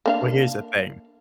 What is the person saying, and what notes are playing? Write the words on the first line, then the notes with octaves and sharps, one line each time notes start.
Well, here's the thing
A#3 D4 F5